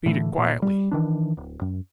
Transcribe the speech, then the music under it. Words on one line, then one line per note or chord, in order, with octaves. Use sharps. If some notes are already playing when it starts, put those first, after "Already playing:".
"Beat it quietly."
A2 D3 E3 A3
A#2
G3
D#3 E3 D4
D1
F#2